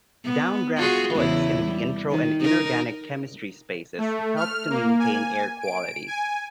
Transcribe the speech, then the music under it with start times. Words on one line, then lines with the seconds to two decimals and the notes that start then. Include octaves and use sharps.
Downdraft hoods in the intro and inorganic chemistry spaces help to maintain air quality.
0.24 B3
0.77 F4 F#4 G#4
1.15 E2 C#3 E4
1.63 G3
2.11 D#3
2.40 D#4 A#4
3.98 A3
4.36 F6
4.70 A#3
4.99 G#5
5.61 D7
6.07 G#5